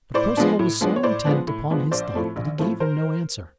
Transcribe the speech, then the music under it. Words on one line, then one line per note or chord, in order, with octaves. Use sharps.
But Perceval was so intent upon his thought that he gave him no answer.
A2 C5 D5
F3 G#3 B3 D4
A2
F3 G#3 B3 D4
C#5
A2 C5 D5
F3 G#3 B3 D4
A2
F3 G#3 B3 D4
A#1 C5 D5
A2 F3 A3 C4
A#1
A2 F3 A3 C4
A#4 C5